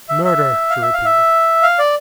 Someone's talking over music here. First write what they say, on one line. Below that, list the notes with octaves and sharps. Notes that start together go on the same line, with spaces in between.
"Murder!" she repeated.
E5
E5
F5
E5
F5
E5
F5
D5